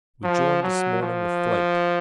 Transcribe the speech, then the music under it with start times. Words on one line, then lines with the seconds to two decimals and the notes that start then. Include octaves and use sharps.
We joined, this morning, the fleet.
0.24 F3
0.63 F#3
1.02 F3